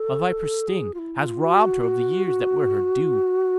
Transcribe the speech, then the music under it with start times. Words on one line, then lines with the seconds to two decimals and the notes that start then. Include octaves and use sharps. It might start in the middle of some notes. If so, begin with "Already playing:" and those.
A viper's sting has robbed her of the years that were her due.
Already playing: A4
0.68 G#4
0.94 F4
0.99 E4
1.20 F4
1.44 F#4